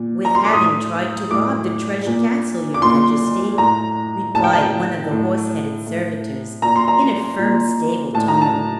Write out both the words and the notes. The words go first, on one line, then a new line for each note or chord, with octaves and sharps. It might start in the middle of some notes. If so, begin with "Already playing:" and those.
"With having tried to rob the treasure castle, Your Majesty," replied one of the horse-headed servitors in a firm, stable tone.
Already playing: A#2
A#5
C6
D6
A2 D#6
A2 D6
A#2
D6
A#2 C6
A2 A#5
A2 A5
G5
A5
A2
A2
A#2 A#5
C6
A#5
A#2
A2 A5
A#5
A5